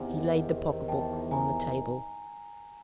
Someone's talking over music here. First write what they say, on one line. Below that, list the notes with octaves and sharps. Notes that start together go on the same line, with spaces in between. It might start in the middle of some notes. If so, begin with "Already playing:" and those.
He laid the pocket-book on the table.
Already playing: E2 C3 D#3 F#5 G#5
G5 A5
G#5 A#5